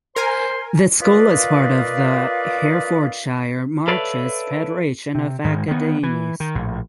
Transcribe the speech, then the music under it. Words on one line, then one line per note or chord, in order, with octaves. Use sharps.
The school is part of the Herefordshire Marches Federation of Academies.
A#4 C5 G#5 C6
F4 A#4 B4 D5 D#5 F5
A4 B4 C#5 D5 E5 F5
C3
G#2 D#3 G#3
D#3 B3
E3
D#3
A#1 A2